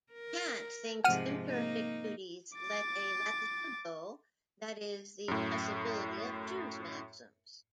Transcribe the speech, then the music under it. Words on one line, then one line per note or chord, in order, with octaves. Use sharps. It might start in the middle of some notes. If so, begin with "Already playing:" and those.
Kant thinks imperfect duties let a "latitudo": that is, the possibility of choose maxims.
A#4
G#2 C3 F3 F#5 F6 D#7
A#3 D#4
D6 A6
F#2 A2